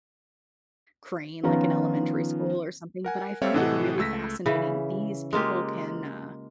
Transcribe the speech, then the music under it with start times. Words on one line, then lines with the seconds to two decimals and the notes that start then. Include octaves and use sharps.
crane, like, in elementary school or something, but I find it really fascinating. These people can, uh,
1.43 D#3 F3 B3 C#4 F4 A#5
3.05 A#4 F#5 G#5
3.42 G3 C4 A4 C#5 E5 F5
3.54 A2 C3 E3 A4 D#5 F#5
3.98 C#2 A3 E6 A#6 B6
4.46 C#3 E3
5.33 G#3 A#3 F4 G4